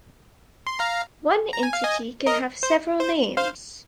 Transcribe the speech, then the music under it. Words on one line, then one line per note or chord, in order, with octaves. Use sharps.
One entity can have several names.
C6
F5 A#5
A#5
G#5
F5
D#5 G#5
A#4 D#5
C5
C5
C5 F5